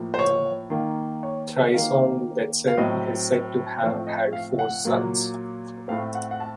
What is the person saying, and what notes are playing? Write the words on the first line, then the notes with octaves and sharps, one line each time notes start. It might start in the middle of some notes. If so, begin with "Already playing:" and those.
Trisong Detsen is said to have had four sons.
Already playing: A2 F3 A#3
C5
C#5
D#3 A#3
C#5
D#3 A#3 F5
F5
A2 F#3 C4 D#5
A2 F3 A3 C4 C5
D#5
F5
F#5
A#2 F#3 A#3
A2 A3 C4 F5
F#5
F#5
A5